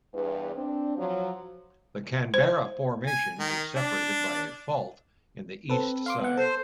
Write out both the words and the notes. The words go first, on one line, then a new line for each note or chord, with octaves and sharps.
The Canberra Formation is separated by a fault in the east side.
E2 G2 B4
C4 D4
F3 F#3
C5
G#5
D#3
D4
C4 A4 B4
F5 C6 D6
B3 F#5
A4 C5